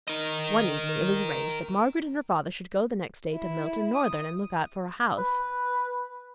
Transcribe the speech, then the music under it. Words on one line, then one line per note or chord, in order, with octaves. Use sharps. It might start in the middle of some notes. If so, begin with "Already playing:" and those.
One evening it was arranged that Margaret and her father should go the next day to Milton-Northern, and look out for a house.
A#4 D#5
E4
D#6
B4